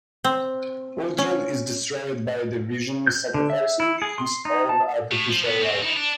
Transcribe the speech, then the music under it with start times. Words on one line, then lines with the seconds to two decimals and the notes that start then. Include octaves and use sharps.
Ultron is destroyed by the Vision, sacrificing his own artificial life.
0.24 C4
1.18 C#4
3.07 G6
3.34 D3
3.50 E5
3.80 E4
4.02 G#4
4.18 C6
4.45 D#4
4.69 A5
5.12 A2
5.29 F3
5.44 B1 B3
5.62 C4 C#4
5.83 D#4 E4
5.96 D4